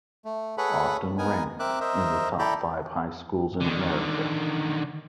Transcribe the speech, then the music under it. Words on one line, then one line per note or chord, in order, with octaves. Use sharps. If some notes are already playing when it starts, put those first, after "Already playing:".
Often ranked in the top five high schools in America.
A3
G#4 A4 B4 C#5 F#5 B5
B3 D#4 A#4 G#5
C4 A#4 E5 D6 F#6
A#4 C5 D#5 E5
E4 A4 D5 G5 A#5 B5
D3 D#3